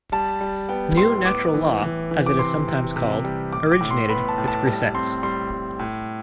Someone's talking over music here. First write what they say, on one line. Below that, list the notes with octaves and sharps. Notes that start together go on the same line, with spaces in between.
"New Natural Law" as it is sometimes called, originated with Grisez.
G3 A5
G3
B3 G5
A2 C6
B3 D6
E3
E3
E3
D6
C3 C6
C3
C3
G3
A2 D6
D6
A2
C6
B3 B5
A5
A2
A5
G3 A5
C4 C6
G3 C6
G3
A2